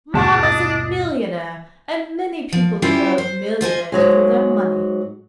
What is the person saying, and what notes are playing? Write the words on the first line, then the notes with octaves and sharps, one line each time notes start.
Marmy's a millionaire, and many people love millionaires for their money.
D#1 E2 G2 B2 D4 A5
D#5 D#6 A6
F3
G3 C#4 E4 F4 G4 C5
C5
F4 C5 D#5 G#5
G#2 F#3 G#3